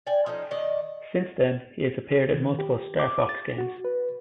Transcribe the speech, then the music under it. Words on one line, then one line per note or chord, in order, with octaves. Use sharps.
Since then, he has appeared in multiple "Star Fox" games.
D5 G5 G#5
F3 C#4 D#4 A4
D#3 D5 D#5
D#3
G4
D6
A6
F#4
B4